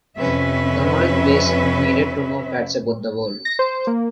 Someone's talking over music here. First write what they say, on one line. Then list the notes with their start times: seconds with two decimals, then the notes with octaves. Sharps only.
The knowledge-base needed to know facts about the world.
0.18 F2 C3 C#4 B4 E5
3.45 A#6
3.59 C5
3.87 A#3